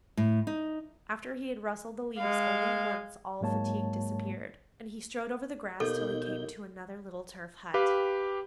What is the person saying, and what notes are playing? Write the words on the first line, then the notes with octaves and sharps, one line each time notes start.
After he had rustled the leaves only once all fatigue disappeared, and he strode over the grass till he came to another little turf hut.
A2
D#4
G#3 F5
G#2 F#3 G#3 A#3 C#5 A5
D#2 B2 D#4 A4 G6
G4 B4 F5 G5